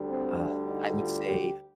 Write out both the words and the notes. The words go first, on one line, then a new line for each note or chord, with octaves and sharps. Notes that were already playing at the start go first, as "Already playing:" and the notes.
uh, I would say
Already playing: D2 D3 G3
C4
D4
D#4
F4
G4